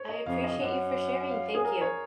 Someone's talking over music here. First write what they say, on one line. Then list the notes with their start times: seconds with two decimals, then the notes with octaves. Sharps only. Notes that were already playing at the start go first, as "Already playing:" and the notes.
I appreciate you for sharing, thank you.
Already playing: C#5
0.09 D#5
0.26 F2 F5
0.44 D#5
0.61 F#2 F#5
1.31 F5
1.55 G#4
1.64 A#4
1.81 C#5